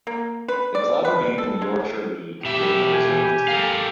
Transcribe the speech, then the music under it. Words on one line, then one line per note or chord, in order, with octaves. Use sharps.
The club remained in the Yorkshire League, fielding a reserve team.
A#3
B4
D5
B4
A4
G#3
B2 G4 E5
G#5
A4 A#4 F5